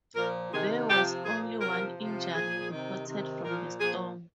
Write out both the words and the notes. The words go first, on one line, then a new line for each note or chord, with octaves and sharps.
There was only one injury reported from the storm.
A#2 F3 A#4
C3 D#3 G#4
C3 F3 G4
A#2 F3 G#4
C3 F3 A#4
C3 F3
A#2 F3 G#4
C3 D#3
C3 D#3
A#2 F3 A#4
A#2 F3 G#4